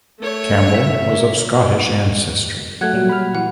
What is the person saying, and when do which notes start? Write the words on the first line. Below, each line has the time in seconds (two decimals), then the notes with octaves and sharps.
Campbell was of Scottish ancestry.
0.20 A3 C#5
0.74 E5
1.05 A#3
2.81 F#3 A3 F#5 F#6 G#6
2.93 A#2 F#3 G3
3.09 B5 F6
3.35 E3 F#5